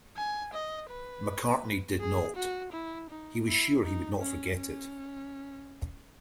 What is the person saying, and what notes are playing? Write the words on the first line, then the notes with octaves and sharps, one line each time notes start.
McCartney did not; he was sure he would not forget it.
G#5
D#5
B4
G#4
F#4
E4
D#4
E4
D#4
C#4
C#4